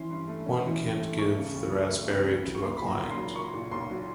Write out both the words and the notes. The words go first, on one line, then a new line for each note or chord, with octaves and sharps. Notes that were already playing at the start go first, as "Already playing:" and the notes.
One can't give the raspberry to a client.
Already playing: E3 C#4 C6
G2
A3
C#4
E3
G2
A3
A3 C#6
C#3
C#2
F#3
A3
C#3
C#2
F#3
C#6
A#3 C6
A#2 B5
A#5
B1
C6
F#3
A#3 C#6
A#2
B1 C6
F#3